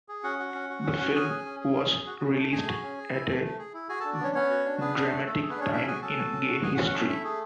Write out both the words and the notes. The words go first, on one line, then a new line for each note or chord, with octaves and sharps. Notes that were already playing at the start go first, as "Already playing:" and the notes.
The film was released at a dramatic time in gay history.
G#4
C#4 F#4 F#5
F#4
C#4
F#4
C#4
F#4
C#4 G#4 G#5
G#4
C#4
G#4
C#4
G#4
F#4
C#4
A3
A3 G#4 G#5
F#4
C#4
G#4
E4
A3
A3
G#4
E4
F#4 G#4 G#5
D4 A4 A5
D5
B3 C#4 C#5
B3 C#4 C#5
F#4
D4
B3 G#4 B4
D4
A3
A3 A4
G#4 A4
B3 B4
C#4 D4 C#5
C#4 E4 E5
F#4 G#4 G#5
C#4 A4 A5
F#4
C#4
F#4
G#4 G#5
F#4 F#5
C#4
F#4 F#5
A3 E4 E5
A3 E4 E5
G#4